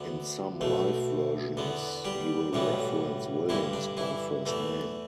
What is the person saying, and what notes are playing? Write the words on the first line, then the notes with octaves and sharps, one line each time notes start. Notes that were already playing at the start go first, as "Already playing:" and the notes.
In some live versions, he will reference Williams by first name.
Already playing: D2 D3 B3
B1 B2 A3
E2 D3 B3
G3 G4
B1 A2 E3 G3 B3
G2 D3 E3 G3 E4
D4
E3 E4
E2 E3 A3